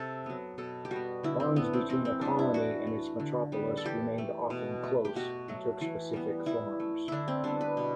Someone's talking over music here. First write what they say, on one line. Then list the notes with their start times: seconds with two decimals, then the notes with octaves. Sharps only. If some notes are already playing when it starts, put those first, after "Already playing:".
Bonds between a colony and its metropolis remained often close, and took specific forms.
Already playing: C3 A4
0.26 F#3 B3
0.58 B2 A4
0.85 G4
0.91 G3 F#4
0.96 B3
1.23 D3 E4
1.40 C4
1.56 A3 B3
1.73 C4
1.90 E3 C4
2.05 C4
2.21 G3 B3 D4
2.39 E4
2.54 E3 F#4
2.87 A3
3.20 D3
3.52 G3 B3
3.77 A4
3.85 E3 G4
4.18 A3
4.50 B2
4.84 A3
5.05 G4
5.15 B2 F#4
5.48 F#3 A3
5.81 E3
6.13 G3 B3
6.46 E3 E4
6.80 A3
7.08 D3 D4 E4
7.28 C4
7.44 G3 B3 D4
7.61 B4
7.77 B2